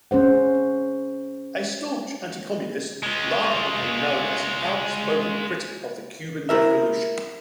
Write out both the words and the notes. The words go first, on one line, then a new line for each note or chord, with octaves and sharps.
A staunch anti-communist, Lava became known as an outspoken critic of the Cuban Revolution.
C#4 G#4 C5 F#5
G#3 F4
E4 A#4 E5